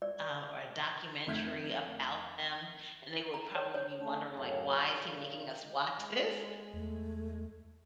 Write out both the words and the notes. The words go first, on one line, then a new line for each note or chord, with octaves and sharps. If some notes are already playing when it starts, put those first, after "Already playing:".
um, or documentary about them. And they would probably be wondering like, "Why is he making us watch this?"
D5
F2 D#3 A3 G6 G#6 B6
A#5
C#5
C#5
A3 C#4 D4
F#2 A2 C#3 F#3
A#2 C#3
G#3
G#3
E2 A3